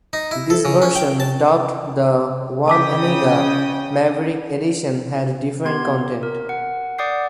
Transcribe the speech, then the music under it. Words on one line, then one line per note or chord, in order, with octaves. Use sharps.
This version, dubbed The One Amiga: Maverick Edition, had a different content.
D#4
E4
A4
C#3
C#4
G5
A5
C#3 G5 A5 D6 D#6 B6
B3 G4 C6 G#6
A#4
F#5
D5 F#5 D6 D#6 G6 C7